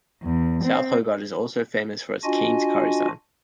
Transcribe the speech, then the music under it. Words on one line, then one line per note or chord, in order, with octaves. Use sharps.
South Hobart is also famous for its Keen's Curry sign.
E2
C4
D4 F4 F#4 D#5 G#5